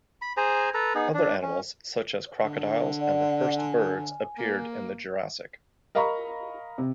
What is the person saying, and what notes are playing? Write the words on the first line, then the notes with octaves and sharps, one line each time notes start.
Other animals, such as crocodiles and the first birds, appeared in the Jurassic.
B5
G#4 C5 G#5 A#5
A4 B4 A#5
B3 D#4 G#4
D4
C#4
D3
D5 F#5
G#5
A#3
A#4 D#5 F5 A#5 B5 C#6
C3